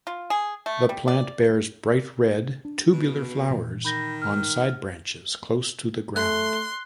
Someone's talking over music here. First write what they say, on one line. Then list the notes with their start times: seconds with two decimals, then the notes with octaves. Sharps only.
The plant bears bright red, tubular flowers on side branches close to the ground.
0.07 F4
0.30 G#4
0.66 A3
0.89 G3
1.08 D5
2.65 D4
2.93 B2
3.50 A#2 E3
3.85 D#3 B5 G6 A#6
4.22 F6
6.16 A3 C6 F#6